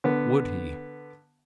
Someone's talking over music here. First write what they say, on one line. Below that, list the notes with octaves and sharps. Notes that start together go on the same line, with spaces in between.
Would he!
D3 B3